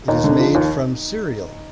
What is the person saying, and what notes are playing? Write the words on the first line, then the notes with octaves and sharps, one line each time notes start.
It is made from cereal.
D#2 D#4
D3
F3
D#2